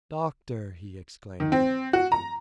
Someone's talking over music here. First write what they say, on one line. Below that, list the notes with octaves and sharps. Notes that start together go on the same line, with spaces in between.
"Doctor!" he exclaimed.
D#3
C4
F#4
A#5